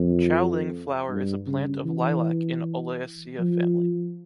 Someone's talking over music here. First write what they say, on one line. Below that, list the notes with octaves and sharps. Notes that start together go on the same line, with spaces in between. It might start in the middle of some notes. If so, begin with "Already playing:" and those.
Qiao Ling Flower is a plant of Lilac in Oleacea family.
Already playing: F2
G2
C#3
E3
F3